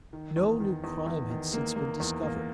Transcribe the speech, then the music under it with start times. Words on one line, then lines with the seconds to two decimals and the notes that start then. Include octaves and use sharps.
No new crime had since been discovered.
0.13 D#3
0.36 E2
0.60 D#3
0.84 E2
1.06 E2
1.30 D#3
1.53 A#3
1.76 A#3
2.00 E2
2.23 A#3